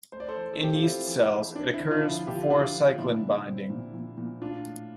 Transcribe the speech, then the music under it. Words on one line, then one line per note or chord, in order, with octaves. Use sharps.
In yeast cells, it occurs before cyclin binding.
A3 C5
D5
A4 C5
E3
A4
C4 G4
F4
C4 E4
E3
E4
E3
C4 D4
E4
D3
D4 F4
F3
E4
D3 G4
F4
E4
D3 D4 F4
D3
F4
A#2 E4
A#2
C4
A#2
A#2
A#2
A2 D4 F4
A2